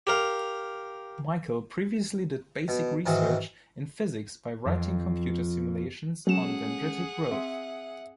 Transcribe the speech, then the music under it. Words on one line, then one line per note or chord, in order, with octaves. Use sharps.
Michael previously did basic research in physics by writing computer simulations on dendritic growth.
G4 A#4 F5
B2
G#2 D#3 E3 F#3
F2
F#3 G#3 C#4 G#4 A4 F#5 E7
C4 E5